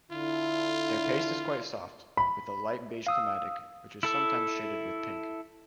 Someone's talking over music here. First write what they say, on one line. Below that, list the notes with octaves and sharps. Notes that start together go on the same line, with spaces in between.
Their paste is quite soft, with a light beige chromatic, which is sometimes shaded with pink.
D3 E4 F4
B5
F5 D#6 E6
E4 A4 E5